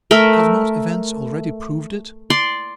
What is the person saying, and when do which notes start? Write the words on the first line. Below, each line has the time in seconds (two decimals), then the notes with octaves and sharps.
Have not events already proved it?
0.11 A3 A#4 E5
2.30 D5 C6